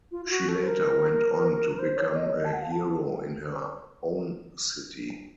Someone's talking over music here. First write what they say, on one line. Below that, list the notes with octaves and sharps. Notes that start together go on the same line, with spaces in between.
She later went on to become a hero in her own city.
F4
F4
F#4
A4
C5
A#4
A#4
C5
C#5
C#5
D#5
C#5
D#5
A5
F#5
F5
A5